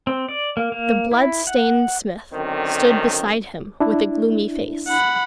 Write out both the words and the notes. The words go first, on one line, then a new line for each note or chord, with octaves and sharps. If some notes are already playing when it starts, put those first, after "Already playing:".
The blood- stained smith stood beside him with a gloomy face.
C4
D5
A#3
A#3
E4
F#5
F#2 D3 D#3 C4 D4
D4 E4
F#5 B5